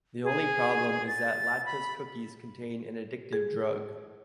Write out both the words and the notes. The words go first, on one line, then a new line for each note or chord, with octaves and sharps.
The only problem is that Latka's cookies contain an addictive drug.
G#4
A6
B5
G#4